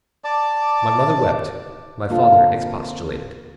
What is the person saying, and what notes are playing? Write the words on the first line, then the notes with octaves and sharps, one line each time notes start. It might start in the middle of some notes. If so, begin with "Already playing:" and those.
My mother wept, my father expostulated.
D5 A5 D6
D3 A#3 C4 F4 A4 F5